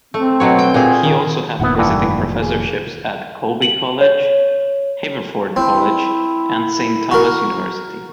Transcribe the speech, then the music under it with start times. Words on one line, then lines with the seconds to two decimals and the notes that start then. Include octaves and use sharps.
He also had visiting professorships at Colby College, Haverford College and Saint Thomas University.
0.14 A3 C4
0.40 B2 F#3 C#5
0.59 G5
0.74 A#2 C4 G#4
1.04 D#3
1.60 F1 A#2 D#3 B3 E4 F#5
1.78 G2 E3 F#5
2.42 G#4
3.62 F#7
4.01 C#5
5.56 C4 E4
7.11 F#4 A#4